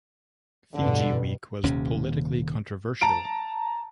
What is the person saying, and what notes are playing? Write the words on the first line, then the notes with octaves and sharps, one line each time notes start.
Fiji Week was politically controversial.
E2 G2 B2 D3
D#1 D#2 C3 C#4
A5 A#5 D7